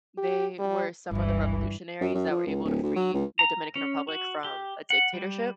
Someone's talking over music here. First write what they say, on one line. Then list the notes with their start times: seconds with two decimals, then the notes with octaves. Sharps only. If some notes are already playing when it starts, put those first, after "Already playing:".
they were some of the revolutionaries that were able to free the Dominican Republic from a dictatorship,
0.18 G4
0.59 G3
1.11 G1 C#2 G2 E3
2.01 F#2
2.14 F#2
2.30 F3
2.47 C#2
2.64 D1
2.83 D2
2.96 F#3
3.14 C#2
3.39 A#5
3.76 C#4
4.09 F#4
4.45 G4
4.90 F#5
5.14 G3